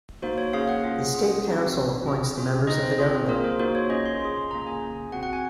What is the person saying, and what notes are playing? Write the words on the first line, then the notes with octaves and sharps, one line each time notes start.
The State Council appoints the members of the Government.
A#3 D#4 F#4 C5
C#5
A#3 C#4 G#4 F5
F#5
C#4 F4 G#4
C#4 F4 G#4
C4 D#4 F#4
C#4 F#4
C4 F4 G#4
C#4 F4 G#4
C4 D#4 G#4 D#5
C5
C4 F4 G#4
A#3 F4 G#4 A#4
C5
A#3 D#4 F#4 C5
C#5
C#4 F4 G#4 D#5
C6
C#4 F4 G#4 C6
A#3 C#4 F4 G#4 A#5
G#5
C#4 G#4
C4 F#4 F#5
F#5
G#5